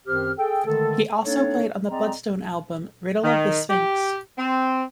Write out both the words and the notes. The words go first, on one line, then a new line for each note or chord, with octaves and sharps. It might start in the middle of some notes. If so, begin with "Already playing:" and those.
He also played on the Bloodstone album "Riddle of the Sphinx".
F#2 D#3 C4 G4 C5 F6
G#4 A4 G5
D3 D#3 G#3 A3 A4
A#3 C4 D4 D#4 A4 C#5
C4 G#4 D5 D#5 A#5
D#3
G4
C4